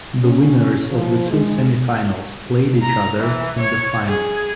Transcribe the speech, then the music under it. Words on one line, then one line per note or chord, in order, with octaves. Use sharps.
The winners of the two semi-finals played each other in the Final.
C#4
F3
G#3
A#5
E3
C#5
G#4